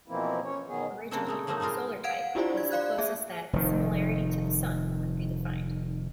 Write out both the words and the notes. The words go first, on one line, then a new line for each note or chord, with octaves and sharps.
Originally, solar-type was the closest that similarity to the Sun could be defined.
B2 E3 F3 A#3 C4 E4
C#4 C#5
B2 D#3 F#3 B3 G#4
C#3 A3 A#3 C4 D4 A4
A#2 G#3 A3
F3 F#3 A3 A#3 D#4
A#2 G3 G#3 F4 A#4
F5 F#5 G#6 D7
D4 E4 F4 G4 C5 D5
G#6
D5 F5 F#6 G#6
A#3 G#4 E5
F1 D#3